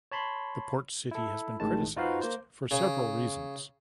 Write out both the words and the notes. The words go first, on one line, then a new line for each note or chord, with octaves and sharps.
The port city has been criticised for several reasons.
C#5 A5 B5 C6
E4 A4
A1 A2 D#3 G#3 A5
D#4 F4 F#4 B4 C5 F5
A#3 C5
C#3